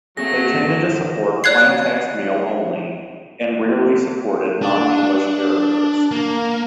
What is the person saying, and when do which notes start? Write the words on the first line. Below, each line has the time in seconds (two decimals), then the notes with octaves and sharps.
They tended to support plain text mail only, and rarely supported non-English characters.
0.17 F#3 A3 A#3 C4 G#4 A#6
1.44 C#5 D5 F#6 G#6 C7
4.62 D4
6.11 A#3